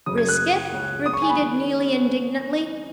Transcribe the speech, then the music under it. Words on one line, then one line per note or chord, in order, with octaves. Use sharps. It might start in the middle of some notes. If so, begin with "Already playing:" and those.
"Risk it?" repeated Neelie, indignantly.
F#1 F#2 C#3 D#6
G#6
F#6
C#2 C#3 G#3
D#6
C#6
G#5
B5
D#3 G#3